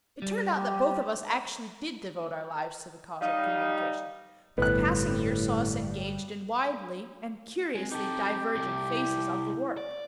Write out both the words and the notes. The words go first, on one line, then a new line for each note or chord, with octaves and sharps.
It turned out that both of us actually did devote our lives to the cause of communication; but the passing years saw us engaged in widely and curiously divergent phases of the work.
G3
G4
G3 D#4 F5
G1 A2 G3 B3 F#6
G#3 C4
D#4 G4 A4
C2
E4
D5